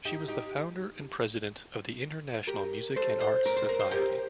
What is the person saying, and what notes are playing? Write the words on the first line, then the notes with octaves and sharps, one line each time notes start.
She was the founder and President of the International Music and Arts Society.
D#4 G4
D#4 G4
G4 A#4
A4 C5
A4 C5
A#4
C5
A#4
C5
G4 A#4